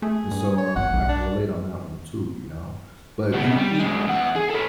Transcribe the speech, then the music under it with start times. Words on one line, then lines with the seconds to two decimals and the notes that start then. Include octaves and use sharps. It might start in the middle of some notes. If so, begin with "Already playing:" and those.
And so, um, I can relate on that one too, you know? But do you think
0.02 A3 G#4
0.31 G2
0.58 C#5
0.76 G#1 F#5
0.93 B1
1.09 D4
3.34 C#3 B3
3.57 G3
3.80 F#2 G#3
4.07 E2 F#5
4.36 G#4
4.51 A4 B4